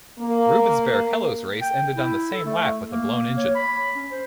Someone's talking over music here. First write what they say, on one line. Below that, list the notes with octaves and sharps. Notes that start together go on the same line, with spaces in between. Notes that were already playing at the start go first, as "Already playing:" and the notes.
Rubens Barrichello's race ended on the same lap with a blown engine.
A#3
G5
E4
A4
A3
A#3
C#5
B5
C#4
C5